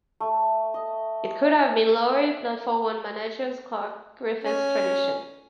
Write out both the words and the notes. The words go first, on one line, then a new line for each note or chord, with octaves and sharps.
It could have been lower if not for one of manager Clark Griffith's traditions.
A3
D#5
C#4